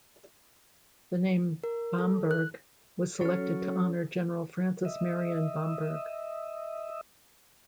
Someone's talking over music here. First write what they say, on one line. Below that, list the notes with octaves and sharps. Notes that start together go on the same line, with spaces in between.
The name Bamberg was selected to honor General Francis Marion Bamberg.
A#4
A4
F#6
F#3 C#4 A4 C#5 F6
D#5 E5